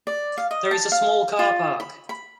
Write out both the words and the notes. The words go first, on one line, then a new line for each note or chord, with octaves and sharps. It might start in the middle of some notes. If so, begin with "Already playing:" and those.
There is a small car park.
D5
F5
D#5
A5
F5
F4
B5
B5